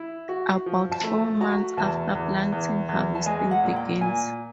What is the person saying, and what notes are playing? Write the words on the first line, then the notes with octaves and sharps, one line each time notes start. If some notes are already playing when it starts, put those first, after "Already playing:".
About four months after planting, harvesting begins.
Already playing: E4
F#4
F3
A5
A3 A#5
F#4 A#5
E2 A5
E2
E2
E2
A5
G#3 G#5
F#5
A#2
G5
A#2 G#5